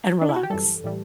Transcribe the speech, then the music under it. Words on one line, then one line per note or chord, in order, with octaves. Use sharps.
and relax."
D4
E4
F#4
G4
F#2 E3 G3 A4
A2 E3 G3